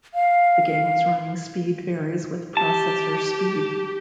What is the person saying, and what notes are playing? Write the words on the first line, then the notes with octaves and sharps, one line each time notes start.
The game's running speed varies with processor speed.
F5
G4 A5